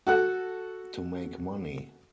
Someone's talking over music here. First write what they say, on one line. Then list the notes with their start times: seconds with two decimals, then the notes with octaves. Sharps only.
To make money.
0.07 F#4 A4 F#5